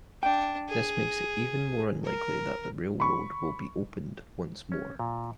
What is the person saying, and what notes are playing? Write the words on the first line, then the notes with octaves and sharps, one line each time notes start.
This makes it even more unlikely that the railway will be opened once more.
D4 G5
G#4
A#4
B5 C#6
C#4
A#2